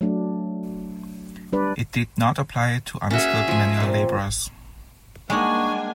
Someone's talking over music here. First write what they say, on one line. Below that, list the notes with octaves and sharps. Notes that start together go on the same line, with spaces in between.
It did not apply to unskilled manual labourers.
F#3 A3 D4
G3 D4 B4 D5
A#3 C#4 F#4 G#4 E5
F3 G#5
A#2 C4
G3 G#3 A#3 D4 D#4 F#5 G#5 C#6